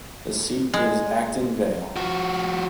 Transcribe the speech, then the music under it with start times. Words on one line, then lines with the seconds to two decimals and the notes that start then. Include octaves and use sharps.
The seat is Acton Vale.
0.74 G#3
1.96 F3 F#4